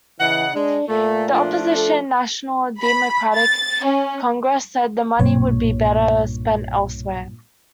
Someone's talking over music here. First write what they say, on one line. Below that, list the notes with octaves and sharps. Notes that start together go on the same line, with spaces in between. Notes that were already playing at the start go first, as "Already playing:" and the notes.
The opposition National Democratic Congress said the money would be better spent elsewhere.
C#3 E3 D#5 F#5
G#3 D4
A#2 A3
F3 A3 D4
A4
B5
A6
C#4
B1 G2 A#2 C#5